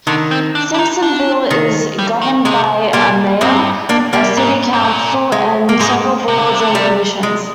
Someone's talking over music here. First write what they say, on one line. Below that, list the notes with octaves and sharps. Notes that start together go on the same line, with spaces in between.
Simpsonville is governed by a mayor, a city council, and several boards and commissions.
D3 D#3
C4
D4
D4
D#4
D4
D#3
G3
D#3
C3 G#3
A#2 G3 A#3
G2 G#3 C4
A#3 D4
G3 A#3
G#2
G#2
A#2
G#3
A#3
G#2 G#3
C3
D3
C3
D3
C3 G3
G#3